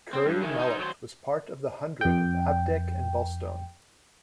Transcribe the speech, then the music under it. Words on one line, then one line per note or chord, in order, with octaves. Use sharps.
Curry Mallet was part of the hundred of Abdick and Bulstone.
C4
G2
D#3 E3
D#4 C5
F#3 C5
F2 G5